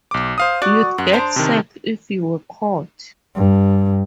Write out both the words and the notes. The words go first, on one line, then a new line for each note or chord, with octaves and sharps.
You'd get sacked if you were caught.
B1 D6
C5 F5 D#6
F#4 D5
F#2 F#5
D4 C5 A#5 C6
C3 D#3
G2